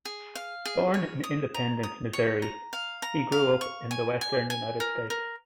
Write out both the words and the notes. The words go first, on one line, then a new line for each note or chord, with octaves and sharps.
Born in Independence, Missouri, he grew up in the western United States.
G#4
F5
G#4
C#5
D#6
A#5
D#6
C#5
A#5
F5
A#5
F5
C#6
G#5
G#5
G#5
A#4
A#4